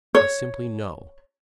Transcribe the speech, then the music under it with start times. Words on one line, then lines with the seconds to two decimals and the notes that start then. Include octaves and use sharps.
I simply know.
0.15 C#5